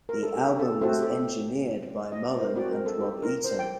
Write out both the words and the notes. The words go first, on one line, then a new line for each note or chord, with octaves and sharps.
The album was engineered by Mullen and Rob Eaton.
A#4
A4
G4
A4
A3 C4 F#4 A4
G4
A4
D#5
D5
C5
A#4
C4 F#4 D5
A#4
A4
G4
A#4
C5
G5